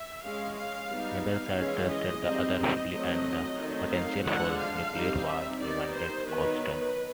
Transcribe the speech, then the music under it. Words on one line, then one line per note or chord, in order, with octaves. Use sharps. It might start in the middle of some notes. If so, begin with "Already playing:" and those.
Neither side trusted the other fully and the potential for nuclear war remained constant.
Already playing: E5
G#3 C#4 F5
F5
G3 B3 D#4
F5
E3 G#3 C#4
D#5
G3 C4 D#4
D#5
F#3 A3 C4
D#3 F#3 A3 C4 D#4
F5
D3 F3 G#3 F#5
F5
G3 C4 D#4
E5
D#3 G3 B3 D#4 D5
C5
D#3 F#3 B3 D#4 B4